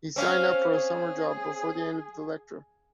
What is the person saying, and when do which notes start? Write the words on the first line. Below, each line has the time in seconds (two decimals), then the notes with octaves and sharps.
He signed up for a summer job before the end of the lecture.
0.16 C4 C#4 F5
0.71 G#4